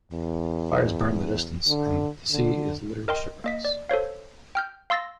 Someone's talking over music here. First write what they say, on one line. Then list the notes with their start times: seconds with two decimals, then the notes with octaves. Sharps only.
Fires burn in the distance, and the sea is littered with shipwrecks.
0.11 E2
1.67 D3
2.31 D3
3.08 A#4 D#5 G5 C6
3.44 A#3 D#5 B6
3.65 D5
3.89 A4 C5 C#5 F5
4.55 G5 F6 G6
4.90 F5 C6 E6 A6 A#6